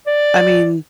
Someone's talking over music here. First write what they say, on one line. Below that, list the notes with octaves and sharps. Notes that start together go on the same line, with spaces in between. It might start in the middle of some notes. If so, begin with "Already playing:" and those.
I mean,
D5